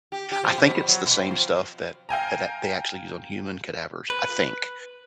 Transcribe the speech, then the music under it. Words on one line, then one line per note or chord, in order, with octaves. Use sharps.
I think it's the same stuff that tha that they actually use on human cadavers, I think.
G4
G4
F3
B2
F2
F#3
B2
C4
F3
F5 G5 G#5 A#5
B4